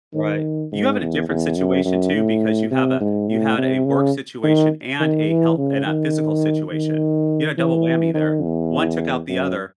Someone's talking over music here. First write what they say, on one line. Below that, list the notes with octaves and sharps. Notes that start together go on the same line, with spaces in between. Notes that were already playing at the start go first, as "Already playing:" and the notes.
Right. You have it a different situation, too, because you have a you had a work situation and a health and a physical situation. You had a double whammy there, one took out the other.
D#3
G#2
E2
E2
F#2
F#2
A2
C3
G#2
A2
C3
C#3
D#3
D#3
E3
C#3
D#3
D#3
E3
D#3
E2
F#2